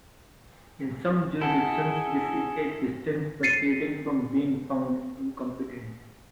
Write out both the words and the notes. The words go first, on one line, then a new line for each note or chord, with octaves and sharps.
In some jurisdictions, this is a distinct proceeding from being "found incompetent".
E4 G#4 A4 F#5 A5
A6 C7 C#7 D#7